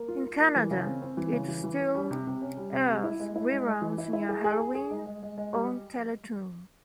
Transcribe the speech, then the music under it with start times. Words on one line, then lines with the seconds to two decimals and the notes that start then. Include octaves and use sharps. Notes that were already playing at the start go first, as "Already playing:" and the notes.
In Canada, it still airs re-runs near Halloween on Teletoon.
Already playing: A#3
0.08 F4
0.24 F4
0.40 A#3
0.56 E3
0.71 C#3
0.87 C4
1.02 C4
1.17 E3
1.33 C#3
1.48 E3
1.64 E3
1.80 C#4
1.95 G3
2.11 C3
2.27 C3
2.41 C#4
2.57 G3
2.73 C3
2.89 G3
3.04 E4
3.20 G#3
3.36 E4
3.52 G#3
3.67 G#3
3.82 E3
3.98 E4
4.13 E4
4.29 G#4
4.44 G#4
4.60 G#4
4.75 G#4
4.91 G#3
5.06 G#3
5.23 G#3
5.38 G#3
5.54 G3